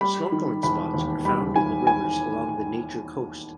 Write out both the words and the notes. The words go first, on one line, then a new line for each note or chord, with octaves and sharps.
Snorkeling spots are found in the rivers along the Nature Coast.
G3 B5
D#3
E1 B5
D#2
G3 B5
D#3 G#5
G#5